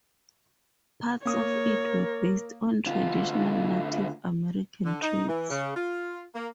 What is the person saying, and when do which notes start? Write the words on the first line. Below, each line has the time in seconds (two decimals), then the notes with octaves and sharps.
Parts of it were based on traditional Native American trails.
1.25 A#3 A#4 C#5 D#6
2.87 D2 F4
4.85 D3
5.02 D#4
5.28 E3
5.50 C#3
5.75 F4
6.35 A#3